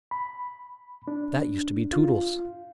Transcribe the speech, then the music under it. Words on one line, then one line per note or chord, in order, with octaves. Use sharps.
That used to be Tootles.
B5
D4
F4